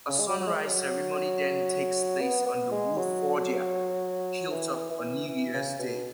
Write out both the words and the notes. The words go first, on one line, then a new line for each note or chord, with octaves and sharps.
A Sunrise Ceremony then takes place on the Woodfordia hilltop on New Year's Day.
C#3
G#3
F#3
F#3
G#3
F#3
B3
B3
G#3
F#3
E3
E3
E3
C#3
B2